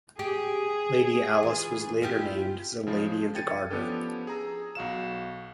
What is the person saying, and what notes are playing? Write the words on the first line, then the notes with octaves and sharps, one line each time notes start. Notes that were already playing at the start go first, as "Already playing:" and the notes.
Lady Alice was later named as a Lady of the Garter.
G4 G#4
E3 F4
E4 F4 G4
C#3 F3 G#3
G5 G#6 A6 C#7 D#7
F3 B3 C#4 D4 G4 A4
G#4 A#5 E6
B1 F#4 F5 E7